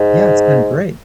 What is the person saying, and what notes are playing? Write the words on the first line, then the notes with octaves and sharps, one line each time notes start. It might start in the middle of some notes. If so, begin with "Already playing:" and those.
Yeah. It's been great.
Already playing: G#2